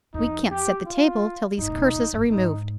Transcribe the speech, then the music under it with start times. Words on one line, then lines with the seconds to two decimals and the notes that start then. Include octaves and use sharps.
We can't set the table till these curses are removed.
0.14 F2 D#4
0.51 G4
0.86 F4
1.58 G2 D#4
1.70 C3
1.76 B2
1.95 F2
2.13 G2
2.31 G#2 D#4